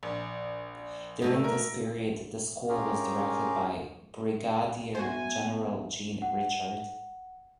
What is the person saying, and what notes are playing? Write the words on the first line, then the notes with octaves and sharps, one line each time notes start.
During this period the school was directed by Brigadier General Jean Richard.
A#1
B2 A3 D#4
A#4
C#4 F4 G4 G#4 A#4
B3 F#4 C5 E5 G#5
F#5